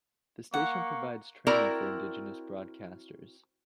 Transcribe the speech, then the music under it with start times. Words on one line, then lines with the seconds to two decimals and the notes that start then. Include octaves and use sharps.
The station provides training for indigenous broadcasters.
0.54 A#3 F#5 C#6
1.47 C4 E4 F#4 A#4 D5 A#5